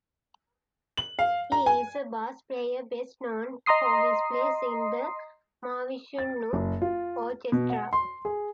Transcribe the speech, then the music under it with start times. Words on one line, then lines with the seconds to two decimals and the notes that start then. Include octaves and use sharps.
He is a bass player best known for his place in the Mahavishnu Orchestra.
0.97 F#7
1.19 F5
1.52 A#5
1.66 G#5
3.66 D#5 A#5 C6 D#6 C7
6.19 A6
6.53 F#1
6.82 F4
7.52 B2
7.70 F#5
7.93 C6
8.25 G#4